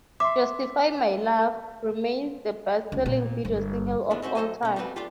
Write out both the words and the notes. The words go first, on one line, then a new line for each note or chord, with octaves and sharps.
"Justify My Love" remains the best-selling video single of all time.
E5 C6 D6
C#2
A#2
G1
E2 D#3 B3 D4 E4
C4 C#4 F#4 C5
F#3 A4 C5 D#5 G#5
B2 C#4
G3 A3 C4 F#4 B4
A3 D4 F4 G4